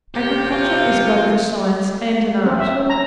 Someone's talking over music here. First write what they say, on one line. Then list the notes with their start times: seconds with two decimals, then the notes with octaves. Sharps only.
Agriculture is both a science and an art.
0.14 C3 G4
0.52 F4
2.46 C4
2.59 E5
2.75 C#4
2.90 A#5